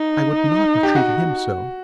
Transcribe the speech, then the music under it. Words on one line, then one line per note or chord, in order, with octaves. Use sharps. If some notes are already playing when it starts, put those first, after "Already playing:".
I would not have treated him so.
Already playing: D#4
G4
F#4